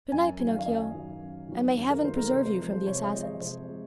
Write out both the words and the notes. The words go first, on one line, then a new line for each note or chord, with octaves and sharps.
"Good night, Pinocchio, and may Heaven preserve you from the Assassins."
F#2 G#5
D#3 F#3
F5
F5
F#2 D#5
D#3 F#3
F#2
D#3 F#3
F#2
A#4
D#3 F#3 C5
A#4
C3 C5
C5
F3 G#3
C5
C3 C#5
D#5
F3 G#3
D#5
C3 C5
F3 G#3